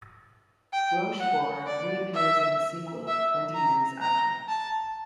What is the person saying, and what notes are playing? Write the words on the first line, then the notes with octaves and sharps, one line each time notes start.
Rochefort reappears in the sequel, "Twenty Years After".
G5
F#5
D5
E5
E5
A#5
A#5
A5